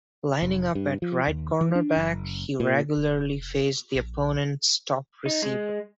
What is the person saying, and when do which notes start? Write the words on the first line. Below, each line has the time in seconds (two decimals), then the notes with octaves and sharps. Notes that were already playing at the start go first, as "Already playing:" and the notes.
Lining up at right cornerback, he regularly faced the opponent's top receiver.
0.42 F1
0.75 G2
1.02 F3
1.27 D#2
1.61 E3
1.75 D4
1.96 F#1
2.60 A#2
2.97 F1
3.95 A#1
5.26 D#4
5.43 G#3